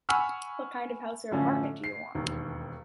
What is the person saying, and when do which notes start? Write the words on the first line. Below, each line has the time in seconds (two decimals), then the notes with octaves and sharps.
What kind of house or apartment do you want?
0.09 F#5 G#5 B5 C#6 E6 F6
1.31 F#2 A2 D3 F3 C#4
1.84 C7
2.15 E1 D#2